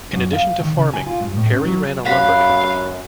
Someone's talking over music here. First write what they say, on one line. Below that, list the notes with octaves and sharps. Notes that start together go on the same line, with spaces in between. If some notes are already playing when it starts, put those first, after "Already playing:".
In addition to farming, Harry ran a lumber company.
F#2
F5
D#3
C#3
G#5
F4
G2
A2
C#4
F#3
F#2 F5 F#5 B5